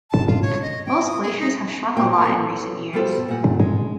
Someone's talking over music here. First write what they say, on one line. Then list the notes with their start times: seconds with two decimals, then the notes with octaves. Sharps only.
Most glaciers have shrunk a lot in recent years.
0.10 A5
0.28 F4
0.42 C#5
0.62 D#5
0.86 G5
1.06 D#6
1.22 G#4
1.38 D#4
1.97 A#2 A#3 G5
2.24 A4 B4 C#5
2.93 F3 G3 B3 F#4 A4 C5
3.28 A#2 G3 F#5
3.60 G#3